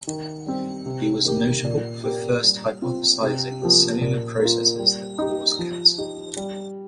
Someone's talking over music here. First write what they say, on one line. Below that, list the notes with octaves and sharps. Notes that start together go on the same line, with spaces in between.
He was notable for first hypothesising the cellular processes that cause cancer.
D#3
G3 C4
C3
D#3 A#3 G4
A#2
A#3 G4
G3
C4 F4
C3
F3 A#3 G4
A#2
A#3
F4
G3
D#4 G4
F3
D#4 G4
G3